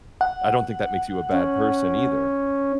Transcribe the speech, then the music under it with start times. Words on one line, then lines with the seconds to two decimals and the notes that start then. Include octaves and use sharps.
I don't think that makes you a bad person either.
0.21 F#5
1.32 C#4